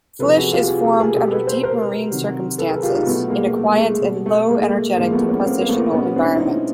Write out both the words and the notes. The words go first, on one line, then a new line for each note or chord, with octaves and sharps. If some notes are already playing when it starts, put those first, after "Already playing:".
Flysch is formed under deep marine circumstances, in a quiet and low-energetic depositional environment.
C3 F3 A4 B4
F#4 G#4
F4 G4
F#4 G#4
G4 A4
G#4 A#4
B2 G3 G4 A4
A4 B4
C5
A#4 C5
C3 D#3 F#3
A4 B4
G#4 A#4
F4 G4
D#4 F4
B2 F#3 A3 B3
G#3 A#3
A3
G#3
A3
G#3
B2 G3
A3
G#3 A#3
A2 F3 G#3 A#3
A3 B3
B3 C#4
A#3 C4
A#3
A3 B3
B2 G3 B3 C#4
C4 D4
E4
C#4 D#4